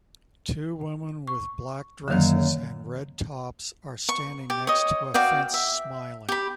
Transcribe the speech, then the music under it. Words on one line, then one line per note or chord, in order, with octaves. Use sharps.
Two women with black dresses and red tops are standing next to a fence smiling.
C#6
F#2 D3 D#3 A#3 C#4
C#6
G4
C#5 D#5
F#4 D5 F5 G5
E5
G4 B5